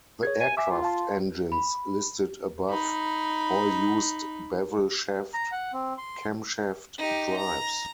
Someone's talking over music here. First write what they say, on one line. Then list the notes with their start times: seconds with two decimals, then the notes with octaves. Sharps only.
The aircraft engines listed above all used bevel shaft camshaft drives.
0.23 G#4 C#5 G#6
0.40 G#5
0.57 E5 G#5 D6
0.71 F4
0.82 F5 A5 C6
1.52 B5
2.69 D#4 B5
5.34 A#5
5.52 F#5
5.73 C4
5.98 C6
6.97 D#4 G4
7.36 A#5